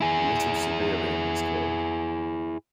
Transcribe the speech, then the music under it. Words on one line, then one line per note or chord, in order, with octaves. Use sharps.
Little Severian is killed.
E4 G#4